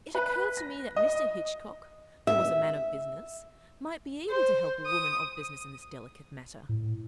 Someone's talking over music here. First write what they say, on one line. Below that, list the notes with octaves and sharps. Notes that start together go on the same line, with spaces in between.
It occurred to me that Mr. Hitchcock, who was a man of business, might be able to help a woman of business in this delicate matter.
B4
A#6
D#5
E5
C5
D#6
A2